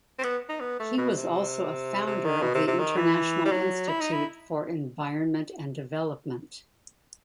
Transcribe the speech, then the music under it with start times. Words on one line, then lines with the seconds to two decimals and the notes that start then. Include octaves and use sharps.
He was also a founder of the International Institute for Environment and Development.
0.19 C4
0.24 B3
0.49 D#4
0.61 B3
0.80 A3
0.98 B2
1.15 C3
2.07 C3
2.25 D#3
2.42 B2
2.55 C3
2.67 C3
2.79 D#3
2.97 E3
3.45 G3
3.52 F#3
3.89 E4
4.01 D#4
4.13 E4